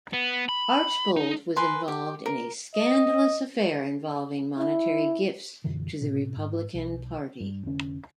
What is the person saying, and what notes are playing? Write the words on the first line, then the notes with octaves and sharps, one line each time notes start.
Archbold was involved in a scandalous affair involving monetary gifts to the Republican Party.
B3
B5
D#4
A#4 B4 G#5 C6
G4
A#4
D#5
E4
F#2 B2 D3 E3
A2 C3
G#2
B1
G2
F1 D3 C#4